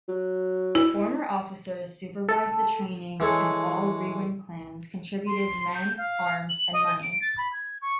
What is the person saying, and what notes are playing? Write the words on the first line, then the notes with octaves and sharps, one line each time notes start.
Former officers supervised the training and all Reewin clans contributed men, arms, and money.
F#3
E4
A4
E3 G#3 A4 C#5
C6
G6
F5
F#7
D#5
D7
A6
B5
G#6
C#6